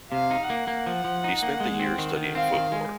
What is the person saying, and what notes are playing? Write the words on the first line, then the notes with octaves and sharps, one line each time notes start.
He spent the year studying folklore.
C3 F5
D#4
A#3 F#5
A#3
F3
F3
D#4
A#3
G#3
C4
D#3
D#3
C4 F5
D#3
G#3